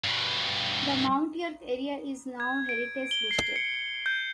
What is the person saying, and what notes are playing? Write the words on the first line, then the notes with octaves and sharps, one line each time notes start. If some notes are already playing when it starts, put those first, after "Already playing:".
The Mount York area is now heritage-listed.
G2 B2
G#6
D7
G7
C7
C#7
G6